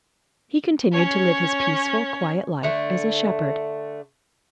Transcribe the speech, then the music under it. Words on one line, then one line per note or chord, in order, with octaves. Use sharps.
He continued to live his peaceful, quiet life as a shepherd.
C#4 C#5
D3 A3